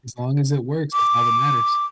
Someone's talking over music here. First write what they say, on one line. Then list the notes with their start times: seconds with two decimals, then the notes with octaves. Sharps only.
As long as it works, that's all that matters.
0.93 D6